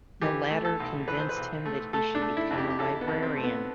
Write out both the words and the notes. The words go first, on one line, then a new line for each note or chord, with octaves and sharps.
The latter convinced him that he should become a librarian.
E3 G4
A3
A4
B1
E3 B4
C5
B4
B1
A3
A3 A4
D4
A3
E4
F2
G4
G4
F2 A4
B3
F2
C4
A3
B3